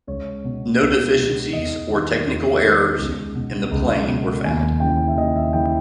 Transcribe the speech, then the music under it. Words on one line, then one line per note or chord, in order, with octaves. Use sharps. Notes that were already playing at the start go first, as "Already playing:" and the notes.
No deficiencies or technical errors in the plane were found.
C#2 C#5
B2
C#2
B2
E2 D#5
D#3
E2
D#3
C#2
B2
C#2
B2
D#2 G#5
C#3 E3 G5
E5
D#2 D#5
E5
C#3 E3 G5